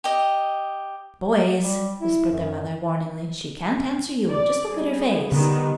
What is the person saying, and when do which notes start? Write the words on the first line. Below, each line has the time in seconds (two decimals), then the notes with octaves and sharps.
"Boys," whispered their mother, warningly, "she can't answer you; just look at her face."
0.04 G4 D#5
1.63 G3
2.01 E4
2.32 F#2
4.31 D5
4.71 G3 G#4
5.32 D3 D#3 G3 B3